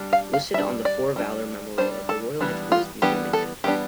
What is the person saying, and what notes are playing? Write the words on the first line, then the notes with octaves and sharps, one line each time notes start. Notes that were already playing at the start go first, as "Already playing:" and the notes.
Listed on the "For Valour" memorial at the Royal Engineers Museum in Kent.
Already playing: G3 D4
F5
F5
G3 D4 E5
D5
G3 D4
G3 D4 C5
A4
E3 G3 B3 D4
F4
E3 G3 B3 D4 G4
A4
E3 G3 B3 D4 G4